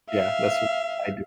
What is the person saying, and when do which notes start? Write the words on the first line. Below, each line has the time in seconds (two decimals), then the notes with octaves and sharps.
Yeah, that's what I do.
0.10 E5 F5